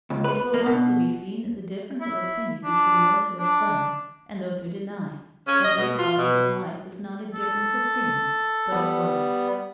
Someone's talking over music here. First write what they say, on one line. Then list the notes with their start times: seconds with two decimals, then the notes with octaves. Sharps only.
It will also be seen that the difference of opinion between those who affirm, and those who deny, that these bodies have life, is not a difference of things but of words.
0.10 C#2
0.24 B4
0.54 A#3
0.66 B2
2.01 E4
2.64 D4
3.39 D4
5.48 C#4
5.65 D#5
5.78 B2
5.99 F4
6.18 B2
7.34 A4
8.71 G3 B3